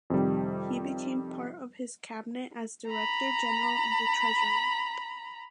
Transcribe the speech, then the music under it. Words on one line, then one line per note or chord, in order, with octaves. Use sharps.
He became part of his cabinet as director general of the treasury.
F2 C3 D#3 G3
A#5 B5